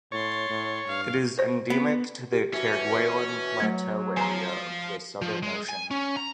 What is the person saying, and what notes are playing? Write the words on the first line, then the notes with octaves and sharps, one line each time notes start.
It is endemic to the Kerguelen Plateau area of the Southern Ocean.
A2 C#5 C6 A6
A2
G2 F5
C5
B3
G4
B2 E3 C#4 F#4
F#3 A3 G#6
F3 C5 G#5 A#5
F3
G#3
G#5
C#4
A#5